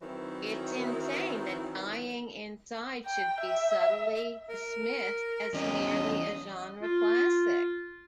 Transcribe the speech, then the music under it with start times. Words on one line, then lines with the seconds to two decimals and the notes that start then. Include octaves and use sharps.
It's insane that 'Dying Inside' should be subtly dismissed as merely a genre classic.
0.02 D#3 E3 F#3 C4 E4
3.06 G5
3.41 E5
4.49 A#4
5.54 E2 C#4 D#5
6.82 F4